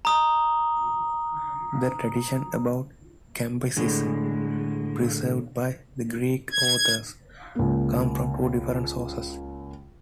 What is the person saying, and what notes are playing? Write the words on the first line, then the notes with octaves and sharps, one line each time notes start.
The traditions about Cambyses, preserved by the Greek authors, come from two different sources.
A#5 D#6
A2 D3 G#3
G#6
C#2 A#3